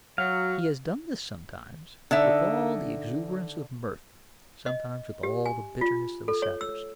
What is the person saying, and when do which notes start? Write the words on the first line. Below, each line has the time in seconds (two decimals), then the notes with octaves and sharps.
He has done this sometimes with all the exuberance of mirth, sometimes with all the bitterness of a satirist.
0.18 F#3 F5
2.11 D3 D#4 E5
4.66 D#5
5.23 G4
5.46 G#5
5.81 F4
6.28 A4
6.42 C#5
6.61 E6